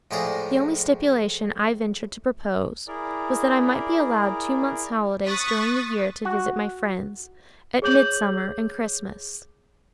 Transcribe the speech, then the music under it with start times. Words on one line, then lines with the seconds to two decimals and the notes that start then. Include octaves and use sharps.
The only stipulation I ventured to propose, was that I might be allowed two months' holidays during the year to visit my friends, at Midsummer and Christmas.
0.11 A2 F3 G#3 G#4 D5 A#5
2.87 E4 G#4 A#4 D5
5.26 C#6 D#6 F#6 A6 B6
6.25 F#4
7.82 G#4 C#5 D6 G6 F#7